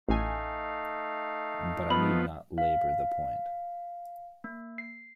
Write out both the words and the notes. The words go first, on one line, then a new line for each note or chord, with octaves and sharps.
But I need not labour the point.
A1 A3 D#4 F5 G#5
F3 B3 B5
F5
A#3
C7